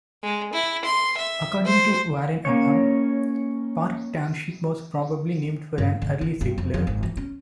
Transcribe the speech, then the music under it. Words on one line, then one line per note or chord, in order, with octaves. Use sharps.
According to Warren Upham, Parke Township was probably named for an early settler.
G#3
E4
C6
E5
C5
A#3 C#4 C#5
G2
D3
D#4
G2
F2
F2
G#1
E3
C#4